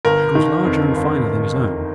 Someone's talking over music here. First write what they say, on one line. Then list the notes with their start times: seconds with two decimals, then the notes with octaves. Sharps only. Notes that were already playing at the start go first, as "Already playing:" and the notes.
It was larger and finer than his own.
0.05 G1 A#4
0.35 D#3
0.65 F2
0.95 G1
1.25 G1
1.56 F2